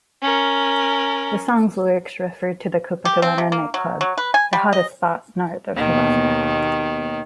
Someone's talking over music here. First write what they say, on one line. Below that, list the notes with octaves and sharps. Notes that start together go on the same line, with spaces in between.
The song's lyrics refer to the Copacabana nightclub, "the hottest spot north of Havana".
C#4 A#4
G4
C4
C3
A#3
F#3
F#3
B4
G#5
G3
D#5
D#2 B2 D#3